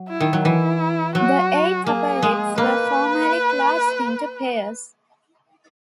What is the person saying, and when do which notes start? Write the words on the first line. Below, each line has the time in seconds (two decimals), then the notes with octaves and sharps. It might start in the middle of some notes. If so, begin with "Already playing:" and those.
The eight upper ribs were formerly classed into pairs.
Already playing: F#3
0.09 E4
0.20 D#3
0.33 F#3
0.45 E3 E4
1.15 F#3 F#4
1.87 A#3 G#4
2.23 G#3
2.58 A#3 B4